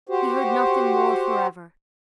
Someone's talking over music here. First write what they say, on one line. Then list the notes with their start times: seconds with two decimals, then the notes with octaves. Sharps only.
He heard nothing more forever.
0.09 F#4 G4 C5